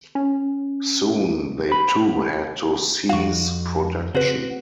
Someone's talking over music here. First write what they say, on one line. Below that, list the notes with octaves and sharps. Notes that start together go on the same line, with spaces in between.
Soon they too had to cease production.
C#4
C5 B5
F2 F#4 F5 C#6
C#3 C4 F#4 B4